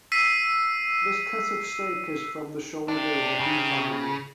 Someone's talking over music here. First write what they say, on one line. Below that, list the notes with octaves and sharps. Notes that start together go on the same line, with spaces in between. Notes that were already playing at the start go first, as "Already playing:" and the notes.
This cut of steak is from the shoulder of a beef animal.
E6 B6 C7 D#7
C3 D4
C#3